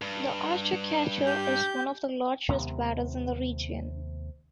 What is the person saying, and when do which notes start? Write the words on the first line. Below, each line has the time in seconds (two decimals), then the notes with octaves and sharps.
The oystercatcher is one of the largest waders in the region.
0.01 G2
1.26 G4 G6
2.48 D#2 C3 G#3 B3